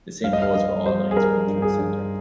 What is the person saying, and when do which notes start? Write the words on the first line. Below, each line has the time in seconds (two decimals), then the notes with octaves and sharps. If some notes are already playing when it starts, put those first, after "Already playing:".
The same holds for all lines going through the center.
0.23 G2 F5
0.33 D#5
0.42 F5
0.54 G2 D#5
0.85 G3 C5
1.11 G#4
1.16 G3 A#4
1.47 G2
1.62 G#4
1.78 G2